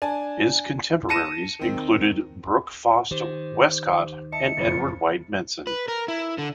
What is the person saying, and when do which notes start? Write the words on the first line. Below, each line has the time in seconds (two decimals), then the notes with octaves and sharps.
His contemporaries included Brooke Foss Westcott and Edward White Benson.
0.02 D4 G#5 A5
1.09 A5 A#6 C#7 D#7 E7
1.59 D#3 C4
3.11 D#3 G4 C5
4.32 D#5 E5 A5 C#7
4.57 F#1 F2 F3 B5 A6
5.67 B4
5.88 A#4
6.08 E4
6.38 D3